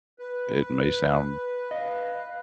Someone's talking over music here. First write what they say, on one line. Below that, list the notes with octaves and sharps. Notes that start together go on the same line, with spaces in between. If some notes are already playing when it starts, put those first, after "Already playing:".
that may sound,
B4
D#5 F5